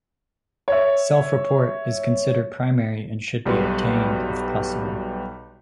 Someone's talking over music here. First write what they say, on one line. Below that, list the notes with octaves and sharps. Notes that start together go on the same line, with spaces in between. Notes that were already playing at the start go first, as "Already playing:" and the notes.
Self-report is considered primary and should be obtained if possible.
C#5 E5
B1 G3 F#4 B4 C6